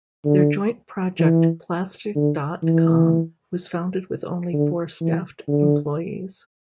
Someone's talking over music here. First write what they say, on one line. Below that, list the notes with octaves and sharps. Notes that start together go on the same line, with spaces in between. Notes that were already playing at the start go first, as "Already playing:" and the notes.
Their joint project Plastic dot com was founded with only four staffed employees.
D3
E3
D3
E3
D3
E3
D3